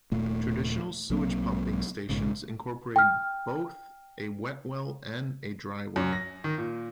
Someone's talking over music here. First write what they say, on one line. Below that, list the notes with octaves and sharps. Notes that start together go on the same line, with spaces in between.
Traditional sewage pumping stations incorporate both a wet well and a "dry well".
D#1 A#2 A3
B1 F#3 A#3 C4
A#1 G#2 C#3
G5 F6
F#2
A#6
D#3
A#2